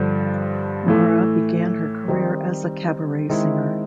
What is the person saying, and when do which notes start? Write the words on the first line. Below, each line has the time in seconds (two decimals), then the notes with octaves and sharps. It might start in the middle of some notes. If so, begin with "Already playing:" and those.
Maura began her career as a cabaret singer.
Already playing: G2 D3 F3
0.87 A2 E3 A3
2.08 D#3 G3 C4 D#4
3.30 D#3 G#3 C4 E4